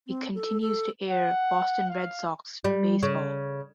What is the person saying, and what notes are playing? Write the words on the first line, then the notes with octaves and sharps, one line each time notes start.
It continues to air Boston Red Sox baseball.
C4
A4
A4
F#5
F5
G3
C#3